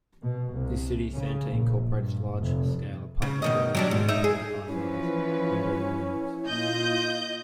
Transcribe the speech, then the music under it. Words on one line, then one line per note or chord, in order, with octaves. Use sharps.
This city center incorporates large-scale apartment buildings and planned high rise condominiums.
B2
C2
C#3
A#1
G2
F1
C#3
B2 D#3 D#5
F#3 G3 D4
G#2
D#4 E5
G#4
E3 F3 C#4 E4 B4
A#2 F4 D#5 G6